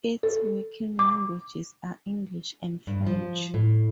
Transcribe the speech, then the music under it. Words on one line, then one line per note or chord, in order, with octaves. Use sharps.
Its working languages are English and French.
A4
D6
G2
F3
A2